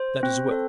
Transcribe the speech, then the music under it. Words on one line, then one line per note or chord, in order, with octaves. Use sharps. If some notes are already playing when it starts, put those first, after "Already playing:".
"That is well."
Already playing: C5
C4
A4